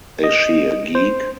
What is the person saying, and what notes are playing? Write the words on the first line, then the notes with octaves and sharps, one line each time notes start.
Is she a geek?
D#5
C5